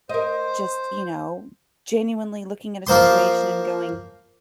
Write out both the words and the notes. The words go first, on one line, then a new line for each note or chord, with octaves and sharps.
just, you know, genuinely looking at a situation and going,
A#4 C5 D#5
F3 A#3 C5 C6